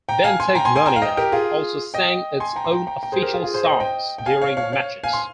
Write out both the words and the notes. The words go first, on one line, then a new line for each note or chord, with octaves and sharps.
"Benteng Mania" also sang its own official songs during matches.
G5 A#5
F5 G#5
G#5 C6
G5 A#5
G#5 C6
G#5 C6
G5 A#5
F5
D#5 G5
G4 A#4
F4 G#4
D#5 G5
G#5 C6
G5 A#5
C6
G5 A#5
G5 A#5
G5 A#5
G#4 C5
G4 A#4
F4 G#4
F4 G#4
G#4 C5
C5 D#5
D#5 G5
G5
F5 G#5
C#5 F5
C#5 F5
C#5 F5
F5 G#5
C6